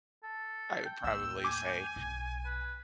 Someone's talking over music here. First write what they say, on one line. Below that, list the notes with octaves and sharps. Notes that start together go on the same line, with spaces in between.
I would probably say
A4
G5
D#2 A2 E6
G#5 D6
B1
B4